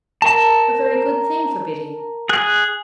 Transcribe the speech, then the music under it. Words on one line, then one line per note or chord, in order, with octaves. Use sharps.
A very good thing for Biddy.'
A#4 A5
G#4 F#6